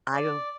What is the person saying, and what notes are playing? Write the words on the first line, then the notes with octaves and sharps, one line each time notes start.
I don't
D5